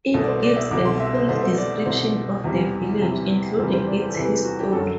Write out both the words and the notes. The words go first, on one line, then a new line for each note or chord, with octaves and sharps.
It gives a full description of the Village, including its history.
C2 B2 A3 A4
D5
C5
D5
E5
C2 B2 A3 D6
C6
E5
C5
C2 B2 A3 C5
C5
D5
D5
C2 B2 A3 C5
E2 C3 E3 G3
E2 C3 E3 G3
E2 C3 E3 G3 C5
C5
D5
C5
A4
E2 C3 E3 G3 B4
F#4
G4
F#2 D3 F#3 A4